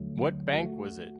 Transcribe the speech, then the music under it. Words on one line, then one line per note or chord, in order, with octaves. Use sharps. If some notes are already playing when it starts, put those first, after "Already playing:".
What bank was it?
Already playing: D2 D3 F#3 A3
A3 F#4